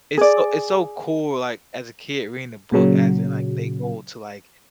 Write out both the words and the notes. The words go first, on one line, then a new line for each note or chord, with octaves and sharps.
it's so it's so cool, like, as a kid reading the book as in, like, they go to, like,
G#4 D5
A#2 C#3 F#3